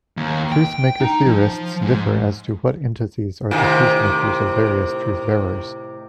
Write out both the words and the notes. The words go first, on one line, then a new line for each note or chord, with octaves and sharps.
Truthmaker theorists differ as to what entities are the truthmakers of various truthbearers.
D#2
G5
D#4
F3
G#2
A2 C3 D#3